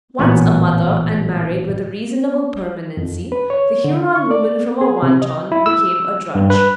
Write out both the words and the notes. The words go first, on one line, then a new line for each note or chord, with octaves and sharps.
Once a mother, and married with a reasonable permanency, the Huron woman from a wanton became a drudge.
A1 A#2 B3 F#4 F#5 G#5
F2
B4
C#5
D3
C#6
D5
G#4
C3
D#5
E4
E6
G2
B4